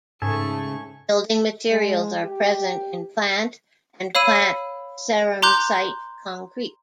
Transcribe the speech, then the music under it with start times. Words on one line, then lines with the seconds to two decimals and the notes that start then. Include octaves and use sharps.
Building materials are present in plant and plant ceramsite concrete.
0.22 G#2 C#3 A3 G#4 A4 G#5 C#6 G#6
1.70 G#3
2.23 G4
4.15 C#5 F5 B5 E6 D#7
5.42 A#5 C6 D6 F#6 G6